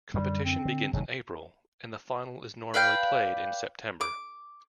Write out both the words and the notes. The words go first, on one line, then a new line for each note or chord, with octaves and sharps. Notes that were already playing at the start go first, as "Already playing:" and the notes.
Competition begins in April, and the final is normally played in September.
F#2 D3 G3
C4
D3
F1 A2 D#3 F#3
B4 D5 F5 G5
D6